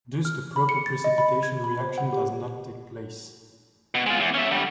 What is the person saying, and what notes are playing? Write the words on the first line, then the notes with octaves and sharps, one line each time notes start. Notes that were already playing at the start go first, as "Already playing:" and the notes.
Thus the proper precipitation reaction does not take place.
F6
B5
C#7
A6
D#5
B5
G#6
B5
C5
F#5
G4
B2
G#3 F4
E2
C#4 E5
D3 G3